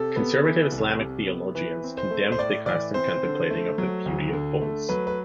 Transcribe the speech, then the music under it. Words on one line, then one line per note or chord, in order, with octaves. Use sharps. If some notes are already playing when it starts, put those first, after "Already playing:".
Conservative Islamic theologians condemned the custom of contemplating the beauty of boys.
Already playing: C3 A4
B3
E3
C2
C3
B3
E3 B4
C4
C5
A3
C5
A2 D5
E3 D5
C4 C5
D3
A3
F#3
D2
D3
A3
F#3 B4
B4